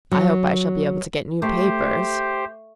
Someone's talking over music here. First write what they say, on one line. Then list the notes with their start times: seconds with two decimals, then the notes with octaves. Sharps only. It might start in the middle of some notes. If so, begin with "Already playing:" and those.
I hope I shall be able to get new papers.'
0.11 F#3
1.42 A3 G4 C5